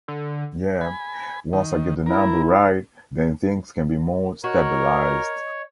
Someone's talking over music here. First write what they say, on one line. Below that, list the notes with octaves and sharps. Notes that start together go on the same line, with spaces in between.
Yeah, once I get the number right, then things can be more stabilised'.
D3
G#5 B5
D#3
E4 A#4
F#4 A#4 C#5 D#5